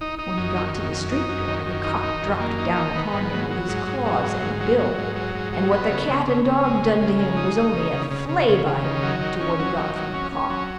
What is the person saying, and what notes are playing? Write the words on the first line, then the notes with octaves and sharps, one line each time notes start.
When he got to the street door, the cock dropped down upon him with his claws and bill, and what the cat and dog done to him was only a flay-bite to what he got from the cock.
D#4
D#4
F#2
D#3
F#2
F#2
D#4
F#2
D#3
F#2
D#4
D#3
F#2
A#3
D#4
D#3
B3
G#2
F#3
F#3
G#2
G#2
F#3
G#2
G#2
F#3
F#3
G#2
F#3
G#2
F#3
B3
C#3
C#3
C#3
C#3
G#3
C#3
C#3
G#3
D#4
D#4
C#3
C#3
C#3
C#3
C#3
C#3
D#3
F#3
D#3
C#4
F#3
D#3
F#3
C#4
C#4
F#3